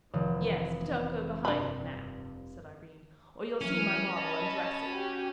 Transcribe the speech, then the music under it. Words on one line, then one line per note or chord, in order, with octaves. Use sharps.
"Yes, but don't go behind it, Mapp," said Irene, "or you'll see my model undressing."
F1 D#3 E3
G2 C3 D4 B5
E3 F#3 C#4 F6
D#5 A5 B5
F#4 G4